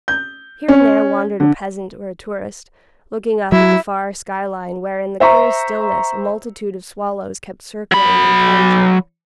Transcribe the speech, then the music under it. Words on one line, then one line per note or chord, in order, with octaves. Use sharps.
Here and there wandered a peasant or a tourist, looking up at the far sky-line where, in the clear stillness, a multitude of swallows kept circling and plunging.
G6
C#4
D3
F#3 E4
C5 E5 A#5 C#6
F#3 B5